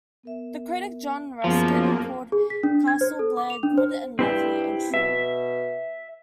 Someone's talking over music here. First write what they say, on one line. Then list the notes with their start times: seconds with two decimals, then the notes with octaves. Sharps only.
The critic John Ruskin called "Castle Blair" "good, and lovely, and true".
0.23 B3 A#4 E5
1.44 F#2 F3 A#3 B3 F#4 G#4
2.32 G#4
2.50 B6
2.63 D4
2.88 G#6
3.01 C5
3.19 A4
3.37 D6
3.50 F7
3.63 D4
3.78 C5
4.19 G2 C4 E4 G4
4.94 B2 E5